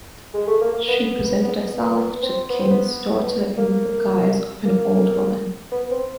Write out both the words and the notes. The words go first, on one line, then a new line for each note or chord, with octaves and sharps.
She presented herself to the king's daughters in the guise of an old woman.
G#3
A3
A#3
A#3
B3
B3
B3
C4
B3
C4
B3
A#3
A#3
B3
C4